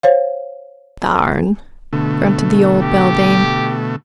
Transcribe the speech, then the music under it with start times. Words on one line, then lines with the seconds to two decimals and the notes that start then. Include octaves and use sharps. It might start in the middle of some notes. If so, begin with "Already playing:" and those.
"Garn!" grunted the old beldame.
0.03 C5 C#5 F5
1.93 B2 D3 A3
2.82 G4